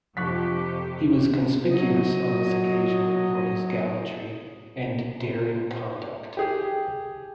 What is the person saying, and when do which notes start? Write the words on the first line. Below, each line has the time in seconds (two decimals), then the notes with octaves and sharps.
He was conspicuous on this occasion for his gallantry, and daring conduct.
0.17 F2 C3 F3 G4 C#6 F#6 B6
1.72 F#3 D#5
6.37 G4 G#4